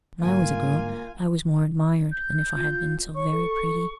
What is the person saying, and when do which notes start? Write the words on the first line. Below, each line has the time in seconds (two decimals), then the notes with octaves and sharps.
When I was a girl, I was more admired than if I had been so very pretty.
0.23 G#2 D3 G3 A#3 F4 G#5
2.12 G6
2.56 F4
3.15 C#5 C#6
3.32 A4